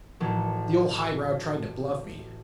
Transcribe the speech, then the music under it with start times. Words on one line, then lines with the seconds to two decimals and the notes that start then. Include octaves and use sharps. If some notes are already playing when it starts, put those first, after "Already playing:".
'The old high-brow tried to bluff me.
0.20 A1 F#3 A4